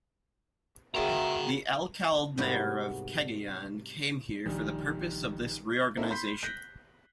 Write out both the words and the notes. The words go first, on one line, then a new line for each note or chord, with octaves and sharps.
The alcalde mayor of Cagayan came here for the purpose of this reorganization.
C#3 A#3 F#4 E5 G5 A#5
G#2 C3 G3 A#3 B3 F#4
A#1 D#3 G3
A#3 C4 D#4 E4 A4
B5 C6 G6 B6 C7
F#6 G6 A#6 B6